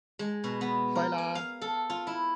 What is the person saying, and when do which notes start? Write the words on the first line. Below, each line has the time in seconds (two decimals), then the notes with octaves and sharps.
Fight Lah!
0.19 G#3
0.44 B2
0.61 B3
0.95 A#4
1.18 G#5
1.35 F5
1.61 A4
1.90 F4
2.07 E4